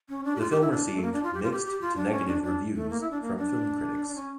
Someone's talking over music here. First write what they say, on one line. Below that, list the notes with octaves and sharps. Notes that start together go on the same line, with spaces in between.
The film received mixed to negative reviews from film critics.
C#4
D4
G4
F4
G4
E4
D4
D4
A3
A#3
D4
F4
G4
F4
G4
G4
F4
D4
C#4
D4
D4
A3
A#3
E4
D4
A#3
D4
D4
C#4